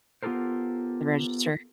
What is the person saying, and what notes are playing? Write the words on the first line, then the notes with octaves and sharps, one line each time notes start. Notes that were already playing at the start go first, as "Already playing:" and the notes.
The register?
B3 F4 G4 A4 A#4 C5